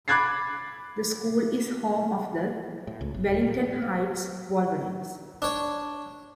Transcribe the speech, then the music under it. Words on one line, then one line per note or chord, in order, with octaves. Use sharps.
The school is home of the "Wellington Heights Wolverines".
B5 D6 F#6 G#6 A6 C7
A2
C#2
G1
D#1
A#2
A2
A#3
D4 C#5